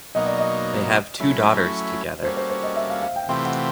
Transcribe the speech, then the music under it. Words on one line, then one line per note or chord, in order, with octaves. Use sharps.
They have two daughters together.
B2 F#3 A#3 D#4 D#5
D5
D#5
F#3 A3 C#4 E4
G3 A#3 C#4 F#4 A4 C5
C5
C5
D#5
E5
F5
F5
G5
C3 E3 A3 C4 F4 G5
F#5